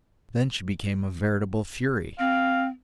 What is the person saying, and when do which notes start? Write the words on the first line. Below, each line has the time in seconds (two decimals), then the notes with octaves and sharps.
Then she became a veritable fury.
2.19 C4 F5